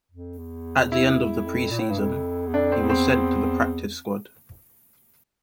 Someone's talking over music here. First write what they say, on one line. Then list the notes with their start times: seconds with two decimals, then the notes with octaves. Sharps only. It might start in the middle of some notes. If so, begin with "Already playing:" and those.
At the end of the preseason, he was sent to the practice squad.
0.11 F2
0.38 E2
0.92 E4
1.46 F2
1.71 A#2
1.80 A2
1.90 G2
1.99 F2
2.48 E2
2.54 F2 D4
2.72 C4
2.81 E2
2.90 C4